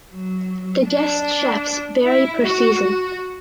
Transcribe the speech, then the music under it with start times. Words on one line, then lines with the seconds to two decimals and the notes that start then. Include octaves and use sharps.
The guest chefs vary per season.
0.10 F#3
0.88 D4
2.04 E4
2.42 F#4
2.81 F#4